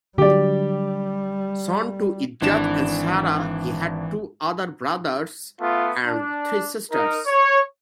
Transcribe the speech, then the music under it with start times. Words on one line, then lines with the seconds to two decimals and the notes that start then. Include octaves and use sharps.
Son to Ezzat and Sara, he had two other brothers and three sisters.
0.18 D3 F#3 G3 G4 D5
2.42 G#1 E3 D4 E7
5.59 A3 B3 F4
6.05 D4
6.91 D#4 A#4
7.26 C#5